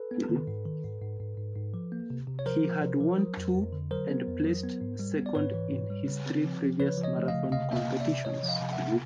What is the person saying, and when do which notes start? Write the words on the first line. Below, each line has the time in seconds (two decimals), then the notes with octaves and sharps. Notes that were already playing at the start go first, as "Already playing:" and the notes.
He had won two and placed second in his three previous marathon competitions.
Already playing: A4 B4
0.11 B3
0.29 D#3
0.47 G#2
0.65 D#3
0.84 G#2
1.01 G#2
1.19 G#2
1.37 G#2
1.56 G#2
1.74 F3
1.92 A#3
2.10 C3
2.27 C3
2.39 C#5
2.46 F3 A#4 C5
2.64 F3
2.82 C3
3.00 F3
3.19 F#3
3.37 F2
3.54 F2
3.73 D3
3.91 F#3 A#4 C5
4.09 B3
4.27 F2
4.45 F#3
4.63 B3
4.81 G#2
4.99 G3
5.17 B3
5.26 D5
5.35 G#2 B4 C#5
5.54 E3
5.71 G#2
5.90 G3
6.08 C#3
6.26 C4
6.44 F3
6.62 F3
6.80 C#3 B4 C#5
6.98 F3
7.04 C#5 D#5
7.17 A3
7.28 D#5 F5
7.34 C#3
7.52 C3 D#5 F5
7.71 A#3 E5
7.76 D#5 F5
7.88 C3
8.00 D5 E5
8.06 C3
8.25 C3 C#5 D#5
8.43 F3
8.48 D#5 F5
8.61 C3
8.72 E5 F#5
8.79 C3